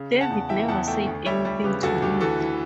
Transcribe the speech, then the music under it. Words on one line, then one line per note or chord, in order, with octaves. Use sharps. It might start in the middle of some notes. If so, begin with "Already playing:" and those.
David never said anything to me.
Already playing: C#3
C#3
F#5 A5
E2
E3 E5 G5
E2 F#5 A5
A3 E5 G5
D2
G3 C#5 E5
G3
C#3 G4 B4
D2 F#4 A4
D2 G4
E3 F#4 A4
E3